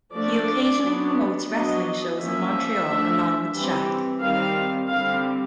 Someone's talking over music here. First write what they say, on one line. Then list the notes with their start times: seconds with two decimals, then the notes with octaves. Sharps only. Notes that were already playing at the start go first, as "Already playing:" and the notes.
He occasionally promotes wrestling shows in Montreal along with Jacques.
0.14 F3 A3 D4 D5
0.82 F#3 B3 D4
1.50 F#3 B3 D4 D#5
2.18 F3 A#3 C#4 E5
2.86 F3 A3 D4
3.54 E3 G3 C4
4.22 D#3 G3 C4 F5
4.91 D3 G3 C4 F5